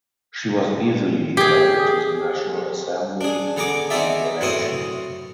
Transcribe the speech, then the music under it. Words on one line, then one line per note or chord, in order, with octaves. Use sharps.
She was easily elected to the National Assembly in the election.
G4 G#4
D4 G#4
D3 B3 G#4 A#5 D6
B3 C4 D#4 G#4 D5 E5
F#2 A2 C4 E4 C#6 D#6